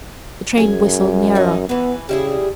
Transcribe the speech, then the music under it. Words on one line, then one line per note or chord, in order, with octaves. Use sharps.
The train whistled nearer.
F#2 G#4 G#5
D#4 E4
E3 B3 B4
C#3 G3 E4 G#4